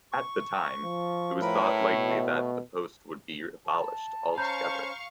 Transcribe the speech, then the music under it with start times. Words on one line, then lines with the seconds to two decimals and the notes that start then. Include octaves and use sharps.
At the time, it was thought likely that the post would be abolished altogether.
0.12 C#6
0.84 F3
1.42 A2 A#4 B4 B5
1.93 B2 A3
3.66 A5
4.37 C#4 C5 F5 A#5 B5 C#6 G6